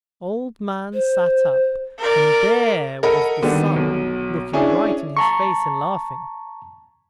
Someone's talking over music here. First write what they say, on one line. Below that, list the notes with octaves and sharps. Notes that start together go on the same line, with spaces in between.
OLD-man sat up and there was the Sun looking right in his face and laughing.
C5
A#4 D5
A4 A#4 D#5 F#5 A#5 B5
D3 D#3 G3 B3
B1 B2
C#4 D4 E4 G#4
A5 A#5 C#6